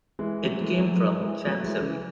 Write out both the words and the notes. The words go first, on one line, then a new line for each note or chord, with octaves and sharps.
It came from Chancery.
E3 G#3
F#3 A3
E3 G#3
F#3 A3
E3 G#3
E3 G#3
F#3 A3
E3 G#3
C#3 E3